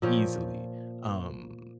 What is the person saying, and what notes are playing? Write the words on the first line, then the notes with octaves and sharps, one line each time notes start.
easily, um,
A#2 F3 C#5 G5